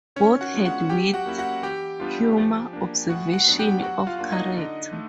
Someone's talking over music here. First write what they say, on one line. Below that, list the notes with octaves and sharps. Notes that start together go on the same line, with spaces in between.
Both had wit, humour, observation of character.
D#3 C#4 C#5
F#4 F#5
G#3 B3 D4 F4
F#4 F#5
F#3 G4 G5
F#4 F#5
A#3 C#4 E4
F#4 F#5
E3 G4 G5
G3 B3 D4 F4
F3
A#3 D4
A2 F#4 F#5
F#4 F#5
F#3 B3 D4
G4 G5
F#3 F#4 F#5
F4 F5
A#3 D4 F4
D#4 D#5
D3
A3